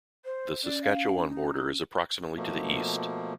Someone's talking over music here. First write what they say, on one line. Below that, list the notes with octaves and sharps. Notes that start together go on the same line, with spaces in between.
The Saskatchewan border is approximately to the east.
C5
C#4 D5
F5
D#4
B2 F3 A3 A#3